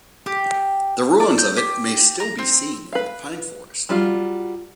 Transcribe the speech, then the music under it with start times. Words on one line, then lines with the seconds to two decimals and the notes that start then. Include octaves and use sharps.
The ruins of it may still be seen in the pine-forest.
0.26 G4
1.20 D5
1.38 G6
1.57 G4
2.20 A#5
2.39 C4
2.93 B4 F5
3.89 F#3 G3 F4